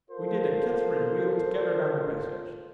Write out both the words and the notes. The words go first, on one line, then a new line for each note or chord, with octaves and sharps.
We did a Catharine-wheel together down the passage.
F4 A4 A#4 C5